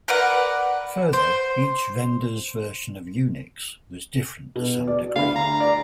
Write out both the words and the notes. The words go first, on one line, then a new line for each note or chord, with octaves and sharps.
Further, each vendor's version of Unix was different to some degree.
A#4 B4 D5 F#5
C5
B2
D5
D2 F5 B5
A#5
D5